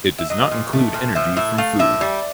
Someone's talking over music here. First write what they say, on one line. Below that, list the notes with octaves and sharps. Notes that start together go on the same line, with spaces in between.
It does not include energy from food.
E5
F#3 D#5
A#2
A3
A#2
F3 E5
A2 E5
A3 F5
A2 E5
G3